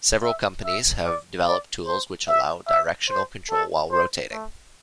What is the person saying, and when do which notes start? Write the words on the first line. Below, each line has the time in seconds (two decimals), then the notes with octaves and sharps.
Several companies have developed tools which allow directional control while rotating.
0.22 E5
0.64 E5
1.04 D5
1.46 D5
1.86 C5
2.28 E5
2.68 E5
3.09 C5
3.50 A4
3.92 C5
4.32 A3